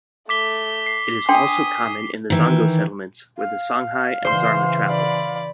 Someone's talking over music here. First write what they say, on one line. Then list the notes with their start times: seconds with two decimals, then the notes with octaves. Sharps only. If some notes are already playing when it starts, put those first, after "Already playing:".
It is also common in the Zongo Settlements where the Songhai and Zarma travel.
0.29 A3 D6 B6 G7
0.86 C7
1.29 D4 G5 G#5 C6 D#6
2.30 D#3 E3
3.37 F5
4.25 C#3 E3 C5 C6
4.88 D5 B5